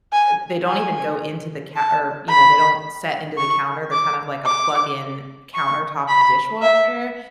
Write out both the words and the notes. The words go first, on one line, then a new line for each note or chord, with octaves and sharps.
eh, they don't even go into the ca or, you know, they don't set into the counter. They're kind of like a plug in countertop dishwasher.
G#5
G#5
A5
B5
C#6
D6
D6
C#6
B5
E5